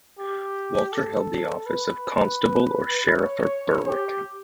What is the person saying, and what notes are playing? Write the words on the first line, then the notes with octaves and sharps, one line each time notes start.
Walter held the office of Constable or Sheriff of Berwick.
G4
A4
B4
C#5
G4